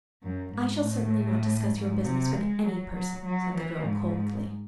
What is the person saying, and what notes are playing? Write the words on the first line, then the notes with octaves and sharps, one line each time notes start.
"I shall certainly not discuss your business with any person," said the girl coldly.
F#2
G#2
A2
G#2
C3
G#3
F#3
F#3
F#3
E3
G#2